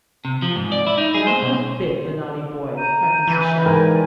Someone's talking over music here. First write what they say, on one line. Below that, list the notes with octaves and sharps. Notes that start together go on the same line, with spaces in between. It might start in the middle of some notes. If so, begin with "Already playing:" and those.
"Not a bit, the naughty boy!" cried Mrs. Shadd.
C3
F3
G#2
D5
E4
D#4
G#4
C5
B2
A#5 G6 D#7
E3 B4 B5 G6
G#2 A#4 D5 G5 G#5